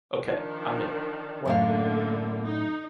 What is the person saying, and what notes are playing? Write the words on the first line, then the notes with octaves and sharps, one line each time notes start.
Ok, I’m in. When?
D#3 F3 D4
F#2 A2 D3 A#3 F5
D#4